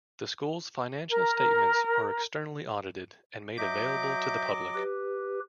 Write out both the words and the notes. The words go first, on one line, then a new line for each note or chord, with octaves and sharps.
The school's financial statements are externally audited and made available to the public.
A#4
F#3 D#5 E5 D6 G6
G4 B4